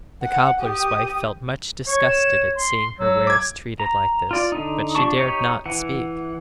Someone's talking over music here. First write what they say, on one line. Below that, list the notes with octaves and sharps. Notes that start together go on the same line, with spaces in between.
The cobbler's wife felt much disgusted at seeing her wares treated like this, but she dared not speak.
F#5
G4 D#6
C#5 C#6
E7
C6
F#3 E6
D6 G#6
A#5
F4 D5
D3 D#4
F3 D4 G4 A5 C#6
D#4 G4 C#5
E3 F#5